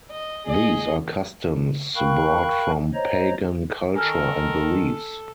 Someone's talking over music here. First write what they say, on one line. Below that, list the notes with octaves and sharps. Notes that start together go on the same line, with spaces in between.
These are customs brought from pagan culture and beliefs.
D#5
G#4 D#5
A#4 F5 G5 B5 C#6 F#6
C5 C#5 D#5 A#5
D#3 A4 A#4 G#5 F6